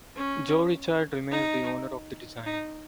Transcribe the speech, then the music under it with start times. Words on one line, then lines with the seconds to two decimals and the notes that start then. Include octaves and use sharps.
Jo Richard remains the owner of the design.
0.16 C#4
1.32 D#4
2.46 D#4